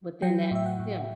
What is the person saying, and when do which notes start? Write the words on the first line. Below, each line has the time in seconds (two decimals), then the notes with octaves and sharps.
within that Yeah,
0.22 F#3 G5
0.51 A2 E5
0.66 F#5
0.80 A2